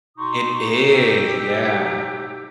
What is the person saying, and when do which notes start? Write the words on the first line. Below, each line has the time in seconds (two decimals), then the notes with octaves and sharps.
It is. Yeah.
0.17 B2 D#4 C6 C#6 D#6
0.89 G4 E6